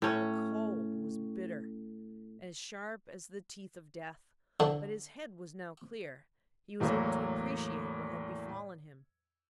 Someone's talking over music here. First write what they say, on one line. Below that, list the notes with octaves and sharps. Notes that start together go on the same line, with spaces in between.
The cold was bitter, as sharp as the teeth of death; but his head was now clear, he was able to appreciate what had befallen him.
A2 C#4
D3
E2 A2 F#3 A#3